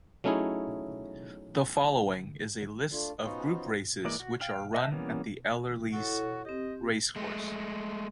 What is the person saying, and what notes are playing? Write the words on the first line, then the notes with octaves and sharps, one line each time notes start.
The following is a list of Group races which are run at Ellerslie Racecourse.
F#3 A3 C#4 D#4 E4 G#4
A3 D4 F4
B3 C#4 D#4 F4 F#4 C5
E3 G#3 A#3 D5
F#4
F5 G5 F6
D#5 E5 A5 F#6 G6
E3 G3 A#3 B3 C#4
E4 F#4 A4 C#5
C4 G4 D#5
G#3 A3